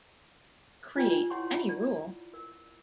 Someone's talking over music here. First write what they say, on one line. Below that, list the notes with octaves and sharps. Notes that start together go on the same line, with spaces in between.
Create any rule.
D4 F4 G4 B4 D5 G5
E4 C#5 F#5 C6 C#6
A#5 B5
D5
A#4